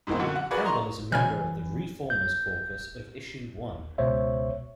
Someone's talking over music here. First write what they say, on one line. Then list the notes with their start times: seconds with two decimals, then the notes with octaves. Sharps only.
Campbell is a member of the ReFormers Caucus of Issue One.
0.07 G#2 B2 E3 A#3 C4
0.19 A#1 F#2 D3 F#4
0.36 F#5
0.51 F#4 G#4 A#4 B4 D5 B5
0.64 D#5 A#5 C6 C#6
1.12 B2 E3 C#5 G#5 F6
2.10 G6
3.98 C#2 B2 C5 C#5 E5